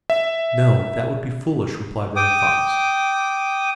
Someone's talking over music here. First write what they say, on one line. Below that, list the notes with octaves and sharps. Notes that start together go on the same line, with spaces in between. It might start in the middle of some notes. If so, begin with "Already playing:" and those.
"No, that would be foolish," replied Running Fox.
E5
G5 D6 D#6